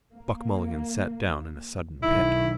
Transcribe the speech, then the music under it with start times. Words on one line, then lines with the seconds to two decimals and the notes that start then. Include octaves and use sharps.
Buck Mulligan sat down in a sudden pet.
0.14 A#3
2.03 B1 D#3 E4